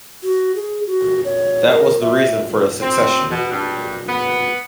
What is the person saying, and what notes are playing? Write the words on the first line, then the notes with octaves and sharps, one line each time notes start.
That was the reason for the Secession.
F#4
G#4
F#4
C#5
A#4
E5
C4
B2
G2
B3